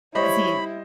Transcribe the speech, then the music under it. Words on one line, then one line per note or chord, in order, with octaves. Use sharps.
Is he
G3 E4 C5 C#5 D#5 B5